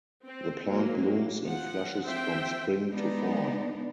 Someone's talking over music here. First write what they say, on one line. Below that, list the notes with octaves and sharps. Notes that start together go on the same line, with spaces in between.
The plant blooms in flushes from spring to fall.
C4
F#3 A#3
F3 F#5
F3 C4 C5 E5 G5
G#3 B3 D4 D#4